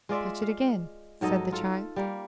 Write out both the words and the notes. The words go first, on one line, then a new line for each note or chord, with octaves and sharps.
"Touch it again," said the child.
G#3 F4 D5 E5
F5
G#2 F#3 A4 D#5
F4 A4
G3 A#3